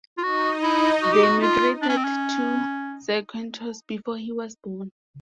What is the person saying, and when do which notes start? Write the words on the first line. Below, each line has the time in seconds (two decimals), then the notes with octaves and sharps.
They migrated to Zakynthos before he was born.
0.18 F4
0.23 D#4 F#4 D#5
0.63 E4
1.03 F#4
1.13 G4
1.23 F#4
1.42 F4
1.82 D4
1.89 C#4
1.97 C4
2.04 C#4